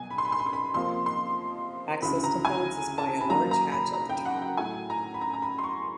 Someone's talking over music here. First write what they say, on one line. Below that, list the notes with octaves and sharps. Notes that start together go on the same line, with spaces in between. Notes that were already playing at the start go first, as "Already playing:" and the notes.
Access to holds is by a large hatch at the top.
Already playing: C2 B2 F#3 G#5
B5
C6
B5
C6
B5
C6
B5
F2 C3 F3 A#3 C6
C6
D2 C#3 E3 B5
A#5
G#5
A5
B5
F#2 D#3 F#3 A#3 A#5
A#5
B5
A#5
G5
F#5
G5
A2 F#3 A3 G#5
A#5
B5
A#5
A#5
B5
C6
C#6